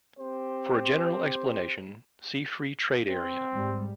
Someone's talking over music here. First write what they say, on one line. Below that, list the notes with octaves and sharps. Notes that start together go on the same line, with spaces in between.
For a general explanation, see free-trade area.
C4 G4 C5
C4
G#2 G3